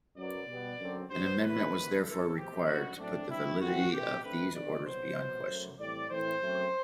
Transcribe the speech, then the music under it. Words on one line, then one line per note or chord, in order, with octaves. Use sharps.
An amendment was therefore required to put the validity of these orders beyond question.
F#2 F#3 B3 D5
B2 G3 B3
F#2 D3 F#3 C4
G2 F#3 B3 C5
E2 D3 A3 B4
E2 B2 A3 C4
F#2 E3 A3 A4
B2 A3 C4 G4
F#2 D3 G3 F#4
A2 F#3 A3 C4 D4
G2 D3 G3 C4 E4
F#2 E3 A3 C4 F#4
B2 A3 C4 G4
D2 D3 A3 C4 B4
E2 D3 F#3 B3 D5
C2 B2 F#3 B3 C5
B2 F#3 B3
F#2 F#3 A3
A2 E3 G3 C4 D5
A2 E3 A3 C4 C5
F#2 F#3 A3 C4